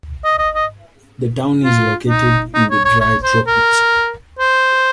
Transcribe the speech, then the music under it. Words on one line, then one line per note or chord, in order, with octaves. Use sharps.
The town is located in the dry tropics.
D#5
D#5
D#5
F4
D#4
D#4
C#5
C#5
C#5
C5
A#4
C5